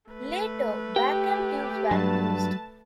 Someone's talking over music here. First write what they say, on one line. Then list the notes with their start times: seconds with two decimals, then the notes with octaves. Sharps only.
Later, vacuum tubes were used.
0.11 A3 B4
0.96 G4 G5
1.91 G2 F#3 A5